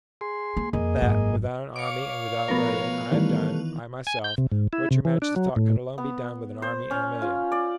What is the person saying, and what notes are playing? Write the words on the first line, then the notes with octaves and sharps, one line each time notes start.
"That, without an army and without a million, I have done--I, myself--what your majesty thought could alone be done with an army and a million."
G#4 C6
A#3
F2 A#3 G#4 D#5
G#1 F#2
C#5 F5 D6 C#7
B2 F3 A3 B3 A#4
D#3 E3 G3 A3 A4
G#5
G6
C3
G#2
E4
C3
E3
D4
F#3
A2
B3
C5
C#4
F4
D5